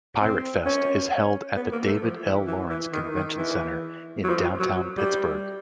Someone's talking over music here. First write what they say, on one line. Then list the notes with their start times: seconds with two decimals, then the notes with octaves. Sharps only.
Piratefest is held at the David L. Lawrence Convention Center in downtown Pittsburgh.
0.21 C4
0.66 C#4
1.56 B3
1.72 A#3
1.87 A3
2.02 F3
2.25 E3
2.47 E3
2.70 E3
2.93 D#3
3.15 D#3
3.38 E3
4.24 F#3
4.29 F3
4.60 F#3
4.97 G3